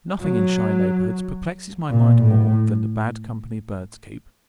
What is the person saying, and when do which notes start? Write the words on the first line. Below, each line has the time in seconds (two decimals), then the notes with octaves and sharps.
Nothing in shy neighbourhoods perplexes my mind more, than the bad company birds keep.
0.21 F#3
1.89 A#2
2.22 A2